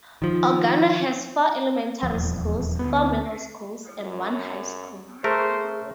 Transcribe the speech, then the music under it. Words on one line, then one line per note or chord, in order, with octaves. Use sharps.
Ogano has four elementary schools, four middle schools and one high school.
D#3 F3
D#1 E2 F3
D2 A3 B3
F#2
A3 G#4 A#4 C5 C#6